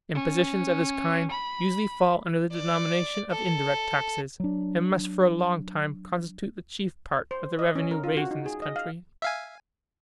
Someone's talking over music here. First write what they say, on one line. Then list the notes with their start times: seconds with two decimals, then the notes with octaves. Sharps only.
Impositions of this kind usually fall under the denomination of indirect taxes, and must for a long time constitute the chief part of the revenue raised in this country.
0.14 C#4
1.30 B5
2.52 D5
3.31 A4
4.40 F#3 D4
7.31 C5
7.59 D#5
7.75 C#4
7.91 A#4
8.04 F4
8.17 F#4
8.31 D#4
8.46 G#4
8.62 D#5
8.76 F5
9.22 E5 F5 G#5